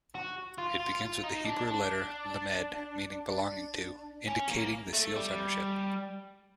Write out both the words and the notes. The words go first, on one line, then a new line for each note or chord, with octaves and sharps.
It begins with the Hebrew letter "lamed", meaning "belonging to", indicating the seal's ownership.
F#4
F4
F4
F4
D#4
D4
D4
C#4
A#3
A3
G3